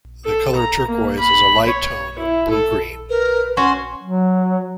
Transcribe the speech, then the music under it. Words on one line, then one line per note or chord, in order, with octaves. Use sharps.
The color "turquoise" is a light tone of blue-green.
A4
A#5
A#3
B5
C#5
E4
A4
A#4 B4
C#4 F#4 G#5 C6
F#3